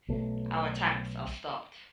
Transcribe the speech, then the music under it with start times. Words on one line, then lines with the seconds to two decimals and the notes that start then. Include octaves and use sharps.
Our tanks are stopped.
0.08 B1 A3